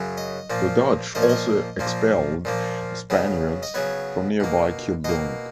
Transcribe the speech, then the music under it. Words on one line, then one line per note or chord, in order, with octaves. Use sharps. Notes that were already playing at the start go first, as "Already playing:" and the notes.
The Dutch also expelled the Spaniards from nearby Keelung.
Already playing: F#2 C#3 F#3
D#5
A#2 F3 A#3
A#2 F3 A#3 D#5
C#5
D#5
A#2 F3 A#3
A#2 F3 A#3
C#3 F#3 B3
D#5
C#3 F#3 B3 C#5
B2 A#3
B2 A#3 D#5